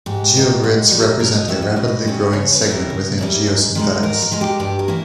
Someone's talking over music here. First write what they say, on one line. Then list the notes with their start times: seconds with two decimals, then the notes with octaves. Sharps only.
Geogrids represent a rapidly growing segment within geosynthetics.
0.06 G#2 G4
0.35 G3 B3 D#4
0.64 G#2
0.91 G3 B3 D#4
1.19 B2 A#4
1.34 D#5
1.48 G3 C#4 E4 E5
1.62 D#5
1.76 B2 D#5
2.05 G3 C#4 E4
2.33 C#3 C#5
2.53 B4
2.61 G3 C#4 E4
2.71 A#4
2.90 C#3
3.19 G3 C#4 E4
3.47 G#2
3.75 D#3 G#3 D#4
4.03 G#2 A#4
4.22 A#4
4.32 D#3 G#3 D#4
4.41 G4
4.60 G2 G4
4.79 A#4
4.88 E3 A#3 E4